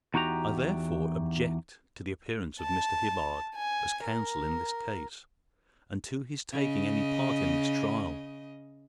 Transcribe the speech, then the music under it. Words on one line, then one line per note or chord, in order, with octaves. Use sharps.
I therefore object to the appearance of Mr. Hibbard as counsel in this case, and to his taking any part in this trial.
E2 D#4 F#4 G4 A#5
A5
G#5
A#4
C#3 D#5